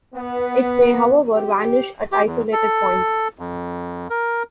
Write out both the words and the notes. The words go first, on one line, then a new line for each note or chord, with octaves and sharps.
It may, however, vanish at isolated points.
B3
G4
G4
E2
A4
F2
A#4